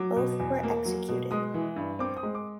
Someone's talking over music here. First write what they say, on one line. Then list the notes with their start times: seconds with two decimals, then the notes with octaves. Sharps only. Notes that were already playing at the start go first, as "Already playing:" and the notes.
Both were executed.
Already playing: F#3 D6
0.16 B2
0.40 E2
0.63 A#3
0.85 F#3
1.08 B2
1.31 G#3 D#6
1.54 E3
1.76 G2
1.99 C4 D6
2.17 D#6
2.23 G#3
2.35 D6